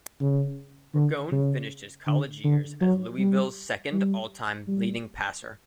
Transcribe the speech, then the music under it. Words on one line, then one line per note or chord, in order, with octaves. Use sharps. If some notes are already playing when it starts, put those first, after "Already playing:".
Ragone finished his college years as Louisville's second all-time leading passer.
C#3
D3
C#3
D3
D3
F#3
G3
G3
G3